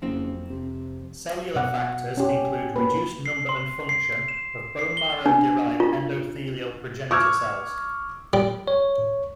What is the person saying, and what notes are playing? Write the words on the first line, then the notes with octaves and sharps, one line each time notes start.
Cellular factors include reduced number and function of bone-marrow derived endothelial progenitor cells.
F#1 F2 C4
C3
B2 F#5
C#4 G4
A#3 B4
C7
C6
C7
E7
C7
G7
D4
F4
C#6 D6 E6 F6 G#6
G3
C#5